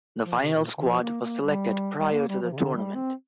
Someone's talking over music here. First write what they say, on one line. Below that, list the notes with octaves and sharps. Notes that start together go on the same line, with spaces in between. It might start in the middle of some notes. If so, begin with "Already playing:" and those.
The final squad was selected prior to the tournament.
F3
C3
A#2
D3
F3
A#3
A#3
G3
G3
A#3
G3
F3
C3
D3
G3
C4